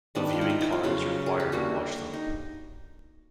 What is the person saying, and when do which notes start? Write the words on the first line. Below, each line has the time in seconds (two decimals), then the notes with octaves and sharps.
A viewing card is required to watch them.
0.15 D#3 G3 B3 D4
0.33 F4
0.41 E4
0.50 D#4
0.61 E4
0.72 F4
0.83 C#3 F#3 B3 F4
1.26 G#4
1.40 G4
1.52 D3 G3 A#3 F#4
2.14 D#4